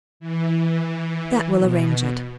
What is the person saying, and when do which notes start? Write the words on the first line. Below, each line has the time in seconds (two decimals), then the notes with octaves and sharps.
"That will arrange it."
0.20 E3
1.58 B2